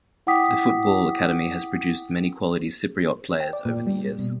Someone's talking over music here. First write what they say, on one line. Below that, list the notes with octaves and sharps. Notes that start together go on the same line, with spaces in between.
The football academy has produced many quality Cypriot players over the years.
E4 F#5 G5 D6 D#6 B6
G5
D5
A#2
G3
B2